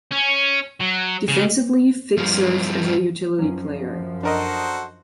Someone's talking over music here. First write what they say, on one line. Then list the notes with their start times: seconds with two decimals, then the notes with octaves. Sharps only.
Defensively, Fick serves as a utility player.
0.12 C#4
0.81 F#3
1.28 C#3
2.17 G2 F3
3.39 F#2 F3 F#3 C#4
4.23 D4 F#4 A4 A#4 C5 D#5